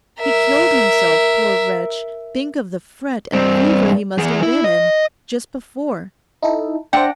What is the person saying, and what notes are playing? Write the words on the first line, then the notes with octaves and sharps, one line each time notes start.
He killed himself, poor wretch, think of the fret and fever he must have been in--just before.
A#4 E5
G2 C4
E3 G#4
E4
D#5
D#4 E4 A4
D4 C5 E5 F#5 G5 A#6